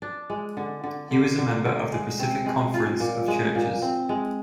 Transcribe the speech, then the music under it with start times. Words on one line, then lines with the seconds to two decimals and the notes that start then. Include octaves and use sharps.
He was a member of the Pacific Conference of Churches.
0.02 D4
0.30 G#3
0.57 D3
0.84 D3
1.11 D3
1.38 D3
1.65 D3
1.92 G#3
2.19 C4
2.46 G#3
2.74 F4
3.00 A#2
3.28 G#3
3.55 A#2
3.82 C4
4.09 G#3